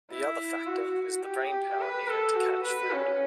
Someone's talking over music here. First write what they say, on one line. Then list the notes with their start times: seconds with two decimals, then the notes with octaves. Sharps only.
The other factor is the brain power needed to catch food.
0.11 E4
0.67 F#4
1.23 G4
1.80 B4
2.08 A4
2.35 F#4
2.64 B4
2.92 C#4